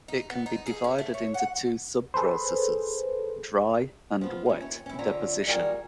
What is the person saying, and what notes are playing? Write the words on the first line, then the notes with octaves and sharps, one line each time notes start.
It can be divided into two sub-processes: "dry" and "wet" deposition.
D#4
B3
D#4
G#4
C#4
A3
C#5
F#5
G#4 A4 B4 C5
F3 B3 F4
A3 C#4
D#2 C#5
C#4 E4
F2 D3 C#5 E5 A#5
G3 F4 F#4 G#4 A#4